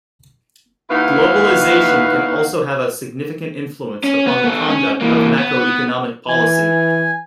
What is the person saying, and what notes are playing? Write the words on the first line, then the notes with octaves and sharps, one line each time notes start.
Globalisation can also have a significant influence upon the conduct of macroeconomic policy.
D#2 D#4 E4 F#4 B4 F5
C#4
B3
B3 A4
C#4
E3 A#3
B3
E3 G#5